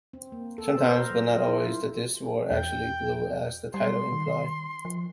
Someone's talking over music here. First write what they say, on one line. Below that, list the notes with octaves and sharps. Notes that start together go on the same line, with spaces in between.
Sometimes, but not always, the disks were actually blue as the title implied.
C4
A#3
A4
C5
A#4
F#3
F4
E4
F4
E2 G5
G3 C6
D#3
F3